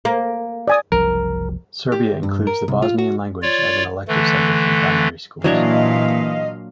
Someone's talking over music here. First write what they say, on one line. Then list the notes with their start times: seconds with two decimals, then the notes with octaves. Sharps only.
Serbia includes the Bosnian language as an elective subject in primary schools.
0.05 A#3
0.68 D5 G#5 D#6
0.92 F#1 C2 F3 A#4
1.92 G4
2.23 G2
2.47 A#4
2.68 C2
2.82 F4
2.98 F#4
3.42 F4 C#5 D5
4.08 D3 E3 A3
5.44 A#2 E3 F#3 D4 C#5 D#5 F5